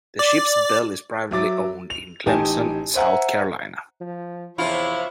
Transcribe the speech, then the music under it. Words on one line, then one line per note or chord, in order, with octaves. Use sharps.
The ship's bell is privately owned in Clemson, South Carolina.
D5
F#3 E5 D6 A6
F7
A1 D#4 G4 G#5 A5 E7
C5 E5 F#5 G#5 A#5
F3
E2 C3 F3 E4 F4 C5 C#5 E5